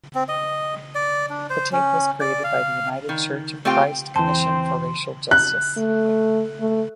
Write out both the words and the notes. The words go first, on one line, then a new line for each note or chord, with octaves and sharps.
The tape was created by the United Church of Christ Commission for Racial Justice.
C4
D#5
D5
D4
C5
C#4
D5
F5
D#3
A3 C4 F4 G4 G5
E2 E3 C4 C5 A5
F#6
A3
A3